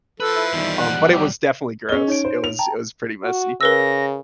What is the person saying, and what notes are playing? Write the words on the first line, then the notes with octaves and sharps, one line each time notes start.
Um, but it was definitely gross. It was it was pretty messy.
F3 A4 B4
E4
E2 D#3 G3
F#5
F#3 G4
C#4 G#4 D#5 G7
D#4 C#5 D7
C5
F7
G5 A5 A#5
F#4
C#3 A#4 B4 E6 A#6